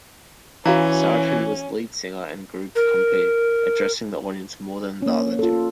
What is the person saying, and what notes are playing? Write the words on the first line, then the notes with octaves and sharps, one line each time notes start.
Sartin was lead singer and group-compere, addressing the audience more than the other two.
E3 C#4 F#4 F5 A#5
A#4
A#3 C#4
F4 A4